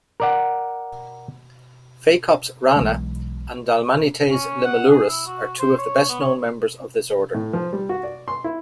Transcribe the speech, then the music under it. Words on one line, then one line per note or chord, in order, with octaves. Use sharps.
"Phacops rana" and "Dalmanites limulurus" are two of the best-known members of this order.
A#4 D5 F#5
B1 E3 G#3
C#4
F#5
G#4
E4
F#4
C5
C#5
B3
C#5
A2
F3
G3
F#4
D5
C6
E4